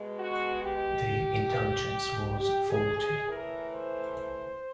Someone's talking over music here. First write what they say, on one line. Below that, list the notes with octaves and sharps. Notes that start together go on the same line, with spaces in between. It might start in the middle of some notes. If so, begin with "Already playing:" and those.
The intelligence was faulty.
Already playing: B2 G#3
F#4
G4
G4
G#4
G#4
A2 E3 A3 A#4
C5